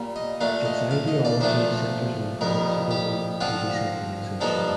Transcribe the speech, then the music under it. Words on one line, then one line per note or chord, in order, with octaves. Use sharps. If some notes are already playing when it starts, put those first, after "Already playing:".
Its ideology centers on progressivism and decentralization.
Already playing: A#2 G3 A#3
D#5
A#2 A3 D4 F5
D#5
F5
D#5
D5
A#2 F3 A3 D4 F4 C5
F2 D#3 G3 A#4
G4
D3 F3 C4 F4
G2 F3 A#3 D#4 A4